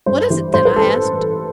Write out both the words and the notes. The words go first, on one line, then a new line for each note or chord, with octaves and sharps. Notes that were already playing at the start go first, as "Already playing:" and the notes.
"What is it, then?" I asked.
G2 C5
E3
A1 C5
B4
A4